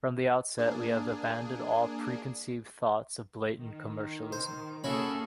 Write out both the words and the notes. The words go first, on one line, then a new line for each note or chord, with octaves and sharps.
From the outset we have abandoned all preconceived thoughts of blatant commercialism.
A#3 D4 G#4
D#3
C5
A#3 C#4 E4 F#4 G#4 A4 B5